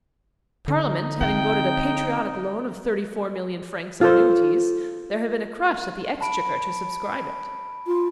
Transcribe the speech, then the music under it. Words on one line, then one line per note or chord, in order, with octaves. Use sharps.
Parliament having voted a patriotic loan of thirty-four million francs of annuities, there had been a crush at the Exchequer to subscribe it.
D3 D#4
C4 G5
F4 A4 C5
A5 B5 D7
F4